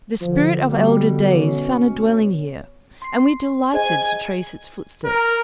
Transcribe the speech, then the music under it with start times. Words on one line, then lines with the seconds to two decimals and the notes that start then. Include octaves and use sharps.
The spirit of elder days found a dwelling here, and we delighted to trace its footsteps.
0.21 D3 F3
0.69 B2 G3
1.31 C#4
3.02 C6 C7
3.73 G#4 C5 D#5 G#5 G#6
5.05 A#4